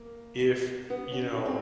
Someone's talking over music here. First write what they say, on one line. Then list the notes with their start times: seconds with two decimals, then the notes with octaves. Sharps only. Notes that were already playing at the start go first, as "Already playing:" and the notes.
if, you know,
Already playing: A#3
0.90 B3
1.11 C#4
1.33 D4
1.45 C4